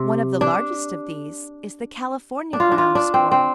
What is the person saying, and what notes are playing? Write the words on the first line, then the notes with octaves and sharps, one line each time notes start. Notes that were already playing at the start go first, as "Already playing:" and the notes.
One of the largest of these is the California Ground Squirrel.
Already playing: C3
D4
D4
F4
D4
F4
D4
C4
C4